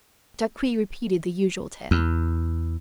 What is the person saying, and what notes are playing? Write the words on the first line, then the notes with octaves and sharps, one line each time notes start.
Jacques repeated the usual tale.
E2